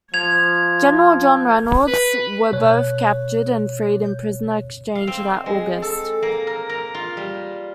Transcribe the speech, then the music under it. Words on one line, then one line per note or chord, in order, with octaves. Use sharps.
General John Reynolds were both captured and freed in a prisoner exchange that August.
F3 G#6 F7
B4
B2 C#5 F#6
F5
C4
G#3
A4
A#3
A#4
A#4
F4
G3